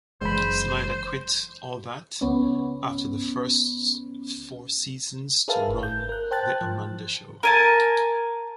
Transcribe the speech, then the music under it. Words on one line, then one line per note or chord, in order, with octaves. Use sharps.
Schneider quit "All That" after the first four seasons to run "The Amanda Show".
F#1 E3 G#3 C5 B5
C#2 B3 C#4
G#4 A#4 B4 E5 F5 A5
G1
G6
A#4 F#6
C5 G5 A5 F#6 A6
F3
A#4 G#5 A5